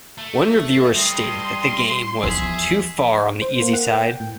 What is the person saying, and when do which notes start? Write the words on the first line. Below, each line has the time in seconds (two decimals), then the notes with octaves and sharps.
One reviewer stated that the game was "too far on the easy side".
0.18 A3
0.95 G2 D#5 C6
2.23 E2 F3 G#4 E5
3.42 C5
3.62 A#3
3.73 F#5
3.93 G5
4.20 A2